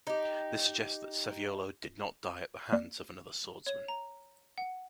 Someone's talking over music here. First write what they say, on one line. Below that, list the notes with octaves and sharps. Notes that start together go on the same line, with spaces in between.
This suggests that Saviolo did not die at the hands of another swordsman.
D#4 G4
A#3 D5
C#5
A#5
F#5